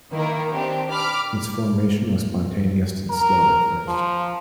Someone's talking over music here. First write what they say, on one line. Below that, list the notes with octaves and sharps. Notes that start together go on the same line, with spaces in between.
Its formation was spontaneous and slow at first.
D#3 A#3 E4 A#4
C4 D4 G4
B5 D6 F6
A#4
F3